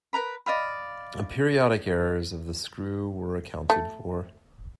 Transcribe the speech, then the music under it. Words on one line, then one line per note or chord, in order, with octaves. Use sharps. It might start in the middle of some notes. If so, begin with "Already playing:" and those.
The periodic errors of the screw were accounted for.
A#4 B4 A#5 B5
D5 D#5 F5 B5
A3